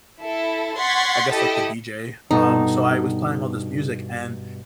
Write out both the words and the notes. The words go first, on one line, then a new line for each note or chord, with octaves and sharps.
I guess like the DJ, um, so I was playing all this music and
E4 A4
F#5 C6 C#6 G#6 A6 B6
E4 G4 A4 D#5
G2 B2 D#4 A4